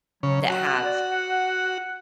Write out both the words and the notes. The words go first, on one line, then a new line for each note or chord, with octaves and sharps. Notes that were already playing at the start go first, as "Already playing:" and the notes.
that have
C#3 F#3
F#4
D5
F#5